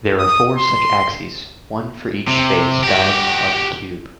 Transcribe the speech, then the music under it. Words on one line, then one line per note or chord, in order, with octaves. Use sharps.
There are four such axes, one for each space diagonal of the cube.
D#6
C6
C3
F#4 G4